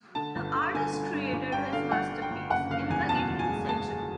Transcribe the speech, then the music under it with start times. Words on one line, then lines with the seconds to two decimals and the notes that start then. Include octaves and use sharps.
The artist created his masterpiece in the eighteenth century.
0.15 D3 A5
0.36 G1
0.55 D3
0.74 D3 G#5
0.93 D3
1.14 G2
1.33 G1
1.52 G2 G5
1.73 D3 F5
1.91 G1 F#5
2.12 D3
2.22 G5
2.31 G1
2.50 F#1 F#5
2.71 F#1 F5
2.90 E2 G#5
3.09 B2 A5
3.30 E2
3.39 G#5
3.49 G#3
3.69 G#3 A5
3.88 G#3